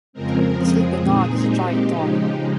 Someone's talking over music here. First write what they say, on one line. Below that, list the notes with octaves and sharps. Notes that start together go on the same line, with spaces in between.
The Saint Bernard is a giant dog.
F2 C#3 F3 G#3 C4 A#4
G#4
A#2 G#3 C4 D#4
G4
C#3 F3 G#3 D#4